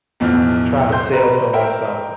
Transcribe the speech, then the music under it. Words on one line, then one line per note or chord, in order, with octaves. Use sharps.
trying to sell someone something.
B1 E2 A2 F3 F6
C6 G6
B4 A#5
A#4 C5 E5 G5